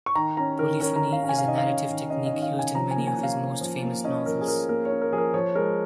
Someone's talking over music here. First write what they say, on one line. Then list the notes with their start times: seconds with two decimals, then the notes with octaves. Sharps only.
Polyphony is a narrative technique used in many of his most famous novels.
0.06 C#6
0.15 D#3 A#5
0.37 C#4 A#5
0.59 D#3 A#4
0.81 C#4 A#4
0.96 A#5
1.02 D#3
1.13 F5
1.24 C#4
1.29 G#5
1.38 F5
1.45 D#3 D#5
1.58 F5
1.67 C#4
1.88 D#3
2.10 C#4 D#5
2.26 D#5
2.32 D#3
2.42 F5
2.53 C#4
2.59 G#5
2.74 F3 A#5
2.91 G#5
2.96 A#3
3.07 G#5
3.18 C#4
3.23 F5
3.39 F3
3.61 F3
3.83 A#3
4.04 C#4 D#5
4.26 F3 A#4
4.41 G#4
4.48 F3 A#4
4.69 A#3 A#4
4.85 C#5
4.91 C#4
5.01 A#4
5.12 F3 G#4
5.18 A#4
5.34 F3 C#5
5.55 G#3 A#4